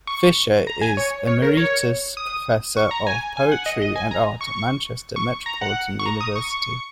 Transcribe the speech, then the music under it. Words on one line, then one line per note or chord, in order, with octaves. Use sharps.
Fisher is Emeritus Professor of Poetry and Art at Manchester Metropolitan University.
C#6
A#5
G#5
C#5
C#5
A#4
C#5
D#6
C#6
A#5
G#5
G#5
F#5
D#5
D#5
G#5
A#5
C#6
C#6
A#5
F#5
C#6
A#5
D#6
C#6